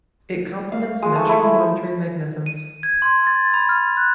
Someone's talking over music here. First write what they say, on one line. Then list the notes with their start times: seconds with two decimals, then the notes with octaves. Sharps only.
It complements national monitoring mechanisms.
0.72 F5
1.02 G#3
1.15 A3
1.29 E4
2.46 D#7
2.83 G#6
3.02 C6
3.27 A6
3.54 B5
3.69 F6
3.97 F#6